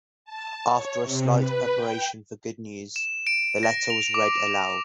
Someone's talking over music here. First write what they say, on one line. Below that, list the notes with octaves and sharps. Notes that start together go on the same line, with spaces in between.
After a slight preparation for good news, the letter was read aloud.
A5
C#5
C3
B4
G5
E7
D7
A#6
F7
D6